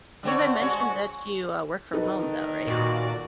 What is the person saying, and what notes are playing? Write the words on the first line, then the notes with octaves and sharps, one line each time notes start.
You had mentioned that you, uh, work from home, though. Right?
D3 C4 C#5
G#3 F#4 C#5
D#3 D#4 A4 B4
A#2 F#4 D5